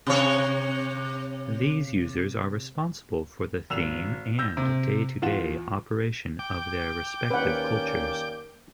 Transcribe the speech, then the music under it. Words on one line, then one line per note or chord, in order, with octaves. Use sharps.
These users are responsible for the theme and day-to-day operation of their respective cultures.
C3 C#5
G#1 E6 E7 F7
E6 G6 A#6
C3
E2 F4 F#5 E7
G5 D6
D#2 A#3 C#4 B4 D5 F#5